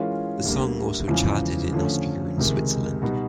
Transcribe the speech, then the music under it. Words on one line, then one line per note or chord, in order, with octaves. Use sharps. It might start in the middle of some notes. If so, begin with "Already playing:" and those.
The song also charted in Austria and Switzerland.
Already playing: E3 G#3 C#4 F4 A#4
D2 D3 G3 A#3
E2 C#3 F3 G#3
D3 F3 A3 C#4
C#2 C3 D#3 G#3
B2 G3 B3 D#4 F#4